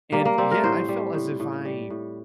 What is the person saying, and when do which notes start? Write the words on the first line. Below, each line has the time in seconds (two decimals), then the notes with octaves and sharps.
And, yeah, I felt as if I
0.12 G3 A#3
0.25 A#3
0.38 G3 C4
0.51 A#4
0.64 A2 C5
0.89 G3
1.14 A2
1.40 A2
1.65 G3
1.90 A2